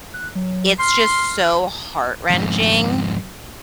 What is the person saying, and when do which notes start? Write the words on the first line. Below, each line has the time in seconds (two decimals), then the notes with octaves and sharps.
it's just so heart-wrenching,
0.14 F#6
0.35 F#3
0.79 C6 F6
2.30 F2 G#2